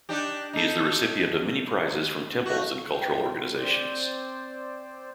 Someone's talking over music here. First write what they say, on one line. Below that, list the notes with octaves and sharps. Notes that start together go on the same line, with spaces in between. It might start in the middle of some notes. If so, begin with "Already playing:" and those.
He is the recipient of many prizes from temples and cultural organisations.
D4 D#4 G4
D#4 A4
A3 F#4
G5
C4 C5 D5